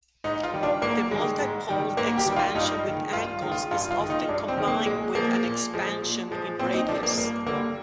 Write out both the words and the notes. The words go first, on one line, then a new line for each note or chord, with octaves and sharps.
The multipole expansion with angles is often combined with an expansion in radius.
G#2 D#4
F4
D#3 G3
D4
G#2 A#3
D#3 G3 G#3
G#2
D#3 G3
G#2 A#3
G4
D#3 G3
F4
G2 D#4
D#3 G#3
G2 F4
D#3 G#3
F4
G2 F4
F4
D#3 G#3
D#4
G2 D4
C4
D#3 G#3
A#3
A#2 G#3
F3 G#3 A#3
A#2
F3 G#3
A#2
F3 G#3
A#2 C4
D#4
F3 G#3 D4
A#3
G2 A#3
D3 G3 A#3